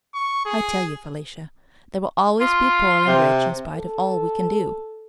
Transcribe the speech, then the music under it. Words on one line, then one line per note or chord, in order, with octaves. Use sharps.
I tell you, Felicia, there will always be poor and rich in spite of all we can do.
C#6
G#4
F4
C3
A4